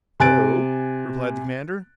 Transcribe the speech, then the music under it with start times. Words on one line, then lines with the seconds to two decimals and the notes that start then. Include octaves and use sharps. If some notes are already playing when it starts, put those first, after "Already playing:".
"Oh?" replied the commander.
0.20 C3 G#5 F#6 A6 D7